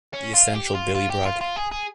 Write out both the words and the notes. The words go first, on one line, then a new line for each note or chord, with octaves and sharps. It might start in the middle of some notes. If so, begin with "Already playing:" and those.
The Essential Billy Bragg.
C#4
F4
G4
F4
F4
G4
F4
F4
G#4
G#4